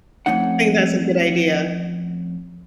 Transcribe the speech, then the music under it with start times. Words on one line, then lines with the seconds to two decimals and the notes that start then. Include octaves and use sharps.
I think that's a good idea.
0.26 F2 F3 A3 C#4 D#4 F#5